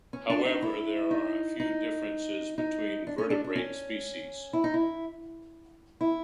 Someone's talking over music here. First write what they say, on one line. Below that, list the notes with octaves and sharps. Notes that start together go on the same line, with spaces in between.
However, there are a few differences between vertebrate species.
C#4
D4
D#4
E4
D#4
D#4
D#4
D4
C#4
D4
D4
C#4
E4
D#4
E4
E4